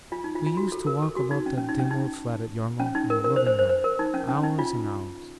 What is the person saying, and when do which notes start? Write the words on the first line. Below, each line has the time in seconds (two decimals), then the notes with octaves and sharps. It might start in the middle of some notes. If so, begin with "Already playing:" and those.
We used to walk about that dim old flat at Yarmouth in a loving manner, hours and hours.
0.12 F4
0.24 D#4
0.35 F4
0.46 F4
0.57 F#4
0.72 A4
0.87 A#4
1.02 A4
1.16 F#4
1.31 D#4
1.46 C#4
1.57 C#4
1.69 D#4
1.80 C#4
1.91 D#4
2.80 C#4
2.95 D#4
3.10 A#4
3.25 A#4
3.36 C5
3.47 C5
3.59 C5
3.69 C5
3.84 A#4
3.99 D#4
4.14 C#4
4.29 C#4
4.43 D#4
4.59 F4